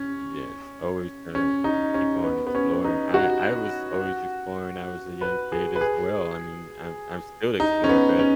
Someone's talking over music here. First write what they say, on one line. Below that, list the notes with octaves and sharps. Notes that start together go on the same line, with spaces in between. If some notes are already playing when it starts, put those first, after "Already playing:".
Yes. Always gonna uh, keep on exploring. I I was always exploring, I was a young kid as well, I mean, I'm I'm still explorer, but
Already playing: C#4
C#4
D#4
C#4
B3
B3
C#4
D#4
F#4
B4
G#4
B4
G#4
D#4
C#4
B3
C#4